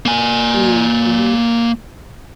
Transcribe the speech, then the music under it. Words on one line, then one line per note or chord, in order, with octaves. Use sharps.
Mm, mhm.
A#3 G#5